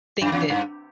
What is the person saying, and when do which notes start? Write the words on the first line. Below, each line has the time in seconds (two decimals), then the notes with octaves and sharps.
think that
0.21 F#2
0.32 E2
0.50 G2